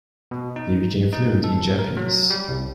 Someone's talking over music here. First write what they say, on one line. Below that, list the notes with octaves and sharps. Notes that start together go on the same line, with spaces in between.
He became fluent in Japanese.
B2
D#4
D#4
A4
A#4
F#3
G3
C2